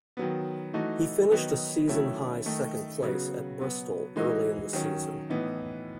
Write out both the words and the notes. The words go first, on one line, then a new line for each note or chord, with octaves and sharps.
He finished a season-high second-place at Bristol early in the season.
D#3 F#3 B3
E3 A3 D#4 F#4
D#3 F#3 B3 D#4 F#4
D#3 F#3 A3 C#4 E4
D#3 A3 D#4
C#3 F#3 B3 F#4
B2 F#3 B3
E3 G#3 D#4 F#4
D#3 F#3 C#4
A2 E3 B3 D#4